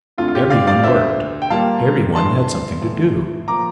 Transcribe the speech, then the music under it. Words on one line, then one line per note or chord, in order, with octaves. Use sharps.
Everyone worked, everyone had something to do.
F2 D3 A3 F4
F4
G4
D5 F5
D5 F5
D2 D3 A3 C5 E5
G5
A#2 G3 A#3 F5 A5
G2 E3 A3 A5 C6
A2 E3 A3
A#2 F3 A#3 A#5 D6